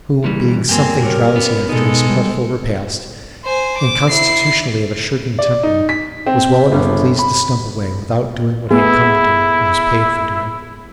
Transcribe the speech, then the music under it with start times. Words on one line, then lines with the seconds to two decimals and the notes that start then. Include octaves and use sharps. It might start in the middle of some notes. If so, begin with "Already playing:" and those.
Who, being something drowsy after his plentiful repast, and constitutionally of a shirking temperament, was well enough pleased to stump away, without doing what he had come to do, and was paid for doing.
0.24 A#2 E3 G3
0.69 G2 A#3 C4 G4 G#5
1.02 G2 F#4 G4 A#4 C#5
1.36 B3 C#4
1.69 B2 G#3 B3 D#4 A4
2.09 F#3 G3
3.45 C5 G#5
3.78 D6
4.09 E4 C7
5.39 D5
5.63 D#4
5.89 B6
6.26 C4
6.72 G1
7.19 B5
8.71 A3 B3 E4 G#4